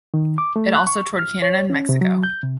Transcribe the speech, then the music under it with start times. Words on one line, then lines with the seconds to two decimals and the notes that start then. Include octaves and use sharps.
It also toured Canada and Mexico.
0.14 D#3
0.38 D6
0.56 A3
0.75 F#6
0.87 C#6
1.19 F6
1.42 C#5
1.70 C#4
1.89 C3
2.01 F#3
2.23 G6
2.43 C3